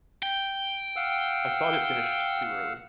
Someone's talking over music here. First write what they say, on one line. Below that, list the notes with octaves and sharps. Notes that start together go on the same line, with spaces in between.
I thought it finished too early.
G5
F5 F#5 E6